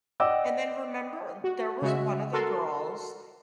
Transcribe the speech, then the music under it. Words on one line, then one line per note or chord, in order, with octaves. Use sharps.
And then remember, there was one of the girls
D5 D#5 F#5 G5 D6 E6
F#4
C#3 G#3 F#4 E5
F#4 A4 A#4 C6